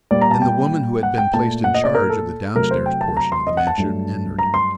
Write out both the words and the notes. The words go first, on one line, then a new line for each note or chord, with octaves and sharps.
Then the woman who had been placed in charge of the downstairs portion of the mansion entered.
A#2 G3 A#3 D5
A#5
A5
G5
F#5
G5
A#2 A3 A5
F#5
D#5
D5
A#4
A4
C3 F#3 A3 A#4
C5
G5
A5
A#5
C6
D#5
F#5
A5
G2 F#3 A3
A#5
C6